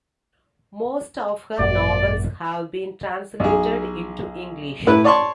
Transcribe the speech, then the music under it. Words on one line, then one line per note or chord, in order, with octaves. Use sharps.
Most of her novels have been translated into English.
G#1 F#2 A#2 D5
B1 G#4
A2 E4 B4 F#6
C#5 D5 A5 C6 C#6